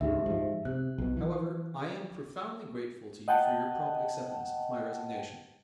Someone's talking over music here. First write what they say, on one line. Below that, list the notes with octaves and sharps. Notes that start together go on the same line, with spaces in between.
However, I am profoundly grateful to you for your prompt acceptance of my resignation.
D2 G#2 C#3 D#4 G4 E5
G#2 F3
C3 F#6
B1 B2
E3
D#5 F#5 G5 A5